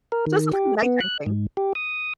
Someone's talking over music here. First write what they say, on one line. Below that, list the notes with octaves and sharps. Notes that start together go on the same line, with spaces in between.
Just a little nighttime thing.
A#4
D#3
G4
B3
F#6
G#2
G4
D#6